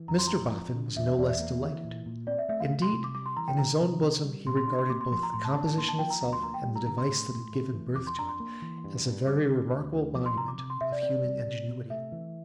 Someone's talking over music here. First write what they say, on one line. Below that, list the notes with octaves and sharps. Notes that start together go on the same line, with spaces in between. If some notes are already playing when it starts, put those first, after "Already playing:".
Mr Boffin was no less delighted; indeed, in his own bosom, he regarded both the composition itself and the device that had given birth to it, as a very remarkable monument of human ingenuity.
Already playing: E3
F2 A#5
C6
C4 A#5
F3
D3
E2 E5
E5
E2 D5
E5
A#3
E3
A#2
A#2
C4 D5
E5
A3 E5
F5
C3
C6
C3
D6
G3 D6
C6
E3 A#5
G5
C3 A#5
C3
C4
G3
A#2 C6
C6
D4 C6
C6
A#3 D6
C6
F3 C6
A#5
A2 C6
A5
D4 A5
A5
A#3 C6
A5
F3 G5
A#5
D2 A#5
C6
A#3 A#5
G5
G3
A#5
D3 A#5
C6
A2
A2
A3
E3
F2 D6
C6
D4 A#5
C6
A#3
E3
G2
G2
G3 D6
D3
D2
D2
F3 D6
C6
C3 A#5
D6
C3 D6
C6
C3 E5
D5
C4 D5
G3
C3
C3
A3 E5
E3